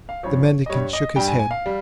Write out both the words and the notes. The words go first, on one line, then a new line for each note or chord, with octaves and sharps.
The mendicant shook his head.
F5
G2 F3 C#5
D#5
G2 G3 C#5
D#5
G2 G3 G5
G#5
G#5
F5
G3